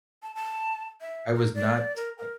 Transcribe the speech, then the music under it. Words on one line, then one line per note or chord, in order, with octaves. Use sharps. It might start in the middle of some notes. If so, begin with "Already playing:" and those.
I was not I
A5
A5
E5
A#4
D5
A#4
A#4